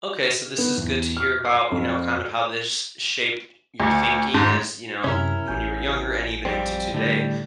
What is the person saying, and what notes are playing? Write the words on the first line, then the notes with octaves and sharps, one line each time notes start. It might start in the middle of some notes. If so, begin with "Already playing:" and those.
okay, so this is good to hear about, you know, kind of how this shaped your thinking as, you know, when you were younger and even into today.
B3
E2
F6
C7
F2
D2
G#2
F#2 C3 C#4 E4 A#4
A1 G#5 G6
F2 G3 C4
A2 D3 G3